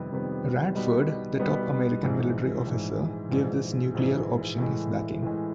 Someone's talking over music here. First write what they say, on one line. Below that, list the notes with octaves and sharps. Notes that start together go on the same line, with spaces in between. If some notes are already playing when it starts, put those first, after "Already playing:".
Radford, the top American military officer, gave this nuclear option his backing.
Already playing: F2 C3 D#3 G3 B3
F2 C3 D#3 G3 B3
B2 G3 B3 D#4
B2 G3 B3 D#4
A#1 G#2 E3 G#3
A#1 G#2 E3 G#3
A#1 G#2 E3
A#1 G#2 E3
A2 E3 G#3
A2 E3 G#3